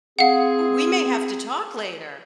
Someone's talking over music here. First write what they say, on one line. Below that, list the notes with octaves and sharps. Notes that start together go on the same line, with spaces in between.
Ooh, we may have to talk later.
C4 G#4 F5 F#5